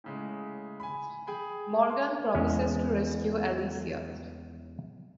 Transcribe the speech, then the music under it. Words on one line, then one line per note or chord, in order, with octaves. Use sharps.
Morgan promises to rescue Alicia.
A2 C#3 G#3
G#5 B5
G#4 G5 G#5 B5
C6
E2 G#3 C#4 F5 G#5